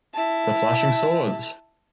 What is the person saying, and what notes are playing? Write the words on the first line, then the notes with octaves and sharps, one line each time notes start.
The Flashing Swords!
E4 A5